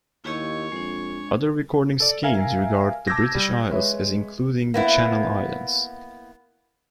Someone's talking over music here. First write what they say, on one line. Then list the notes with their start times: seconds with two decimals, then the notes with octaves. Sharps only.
Other recording schemes regard the "British Isles" as including the Channel Islands.
0.24 D#2 E4 G4 C#5 D#5
0.72 F2 G#3 D4
2.00 A4 D5
2.23 A#4 E5 F5 G#5 A#5
3.07 A5 D6 E6 G6 G#6 A#6
3.35 G3
3.71 G#3 B4 C#5 E5
4.74 A#3 B3 E4